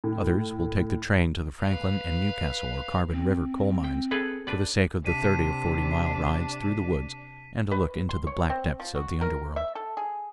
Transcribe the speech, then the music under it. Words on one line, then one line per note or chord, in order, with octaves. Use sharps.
Others will take the train to the Franklin and Newcastle or Carbon River coal mines for the sake of the thirty- or forty-mile rides through the woods, and a look into the black depths of the underworld.
A2
B4 F5
C4
E5 G5
G#4 A4 B4
D4 B4 D5
C3 D4 B6 D#7
B4
C6
C#5
C4
F3
F#4
A#4
E5
A4
G#4